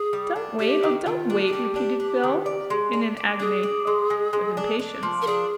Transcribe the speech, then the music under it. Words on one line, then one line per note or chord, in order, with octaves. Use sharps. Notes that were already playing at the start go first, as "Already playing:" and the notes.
"Don't wait, oh, don't wait!" repeated Phil, in an agony of impatience.
Already playing: G#4
G3
D4
D4 G4
D#3
D#3 F4
D4
G#4
G3 G4
D4
D4
D#3
D5
G#3
D4
D5
D4 G#4
D5
G#3
G#3
G#3
D4
D4
F3
A#4
D4 G#4